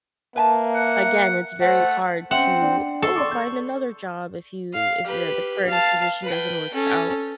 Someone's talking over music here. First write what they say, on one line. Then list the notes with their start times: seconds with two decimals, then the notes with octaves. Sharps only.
again, it's very hard to, "Oh, find another job if you if the the current position doesn't work out."
0.36 A#3 B4 E5 G#5 A5
0.74 F#5
1.61 A3 C5 F#5
2.31 C4 C#4 E5 F#5
2.62 D4
3.02 A4 C#6 A6 C7
3.16 D5 C6 D6
3.31 G6
4.73 F5
5.05 G4 B4
5.66 F5 A5
6.23 B4 G5
6.74 C#4 A4